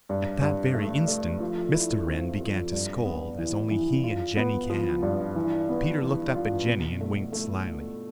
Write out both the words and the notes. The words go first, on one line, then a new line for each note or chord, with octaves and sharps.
At that very instant Mr. Wren began to scold as only he and Jenny can. Peter looked up at Jenny and winked slyly.
G2
G2
A3
A3
F3
E4
C4
F3
G2
B3
E3
E3
F4
B3
F3
G2
E3
B3
E3
F4
B2
A3
A3